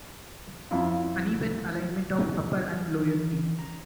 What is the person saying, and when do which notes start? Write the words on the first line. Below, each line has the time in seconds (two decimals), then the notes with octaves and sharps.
Uneven alignment of upper and lower teeth.
0.71 F2 E4 F4
2.99 E3
3.59 A#5